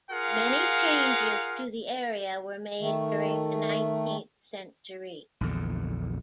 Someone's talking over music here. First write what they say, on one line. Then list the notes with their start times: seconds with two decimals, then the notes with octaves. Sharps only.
Many changes to the area were made during the nineteenth century.
0.10 F4 G#4 A#4 F5 F#5
2.80 D#3 A3
5.41 A#1 E2 D3